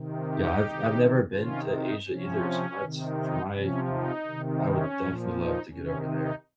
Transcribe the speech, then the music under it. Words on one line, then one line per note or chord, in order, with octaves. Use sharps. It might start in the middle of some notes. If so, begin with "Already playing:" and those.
yeah, I've I've never been to Asia either, so that's for my you know, I would definitely love to get over there.
Already playing: C3 D#3
D#4 G4
C3 D#3
C3 D#3 C#4 F4
D#4
C3 F3 C#4
C3 D#3
D#4
C3 F3 C#4
D#4
C3 D#3
C#4
A#2 F3
D#4
C3 D#3 C#4
D#4